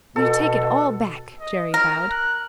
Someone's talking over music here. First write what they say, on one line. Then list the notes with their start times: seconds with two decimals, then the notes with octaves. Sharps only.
"We take it all back," Jerry vowed.
0.16 B2 A4
1.41 D#5
1.74 A#4 F6
2.11 F#6